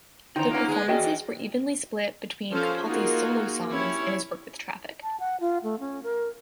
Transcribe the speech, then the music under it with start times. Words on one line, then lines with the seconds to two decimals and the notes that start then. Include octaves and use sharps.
The performances were evenly split between Capaldi's solo songs and his work with Traffic.
0.36 D3 E3 D#4 C5 G5 A#5
0.50 A#3 C#4 F4 B4 F#5
0.68 G#3 B3 G#4
0.88 C#4 F#4 G#4 D5 D#5 G5
0.99 E3
2.51 F3 C#4 A4 C5 F5
2.83 A#3 D#4 F4 F#4 G#4
3.70 C#4 E4 G4 C#5
5.03 A5
5.20 F#5
5.41 F4
5.64 A3
5.80 C#4
6.03 A#4